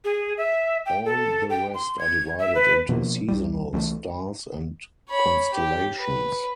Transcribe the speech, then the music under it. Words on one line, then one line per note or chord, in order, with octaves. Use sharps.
All the rest are divided into seasonal stars and constellations.
G#4
E5
G5
A4
G5
C6
G#6
E5
B4
B2 F3 G#3 A#3
C2 G3
C2 E3 G3 A3
C#5 B5
G4
B4